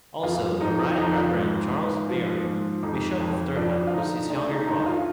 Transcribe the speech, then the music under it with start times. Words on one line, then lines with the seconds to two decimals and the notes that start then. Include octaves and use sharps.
Also, the Right Reverend Charles Baring, Bishop of Durham, was his younger brother.
0.23 F2 F4
0.61 F3 D#4
0.79 D#4
0.97 F2 D#4
1.15 F4
1.34 G#2
1.71 G#2
2.09 F3
2.45 G#2
2.83 F2 D#4
3.20 F2
3.56 F3 D4
3.87 F4
3.93 D3 D#4
4.30 D2 D4
4.49 D#4
4.67 D3 D#4
4.86 F4